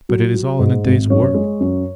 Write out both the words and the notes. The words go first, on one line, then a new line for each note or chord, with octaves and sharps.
But it is all in the day's work.
F#3
F#3
G#2
G#1
F#2 C#5
G#3
F#2